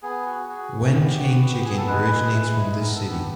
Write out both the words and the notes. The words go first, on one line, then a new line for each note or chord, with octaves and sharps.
Wenchang Chicken originates from this city.
B3 G#4
F#4
F#4
B3
B3 G4
F#4
B3 F#4
G4
B3 G#4
A4
G#3 B4
G#3
E4
G#3
B3 A#4
A4
B3
G4